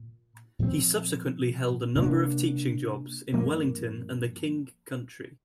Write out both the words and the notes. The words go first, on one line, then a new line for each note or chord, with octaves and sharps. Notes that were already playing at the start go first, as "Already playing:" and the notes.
He subsequently held a number of teaching jobs in Wellington and the King Country.
Already playing: A#2
A#2 F3 C4
C3 A#3 D4
G2 F3 A#3